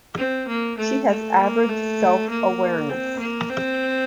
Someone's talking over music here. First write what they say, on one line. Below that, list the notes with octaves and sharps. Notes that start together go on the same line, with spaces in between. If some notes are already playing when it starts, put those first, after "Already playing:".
She has average self-awareness.
C4
A#3
A3
A3
A#3
A3
A#3
C4
A#3
C4